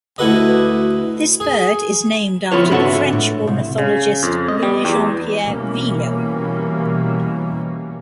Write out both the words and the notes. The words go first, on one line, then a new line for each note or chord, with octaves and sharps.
This bird is named after the French ornithologist Louis Jean Pierre Vieillot.
D2 E4 F#4 A4 B4 D#5
G#4
F3 B3 E4 F4 B4 C#5
G#2 D3 E4 F#4 A4 E5
A2
C2
C#3
F2
D#5
G3
E2
B2 E3 G3 A#3 C#4